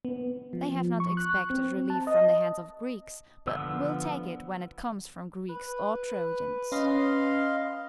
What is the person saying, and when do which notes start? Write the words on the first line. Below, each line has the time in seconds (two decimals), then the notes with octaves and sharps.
They have not expected relief from the hands of Greeks, but will take it when it comes from Greeks or Trojans.
0.05 B3
0.53 F3
1.00 C#6
1.17 F#6
1.50 C4
1.90 A5
2.07 D#5
3.47 D3 F3 B3 E6
5.49 B4
6.72 C#4 D#5 F5 C6